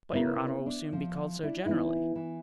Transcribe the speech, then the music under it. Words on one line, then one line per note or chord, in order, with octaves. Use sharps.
"But your honor will soon be called so generally."
C#3 B3 E4 A#4
D4
F3
D4 E4
E3 B3 D#4 E4
E3